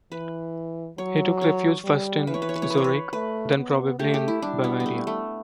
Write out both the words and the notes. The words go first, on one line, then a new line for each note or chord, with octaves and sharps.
He took refuge first in Zurich then probably in Bavaria.
E3 B4
F#3 C#5
C#5
G3
E3 B4
C#5
B4
C#5
B4
C#5
B4
C#5
B4
A3 B4
B3
A3 G4
G4
E4
G3 D4
B3
B3
A3
A3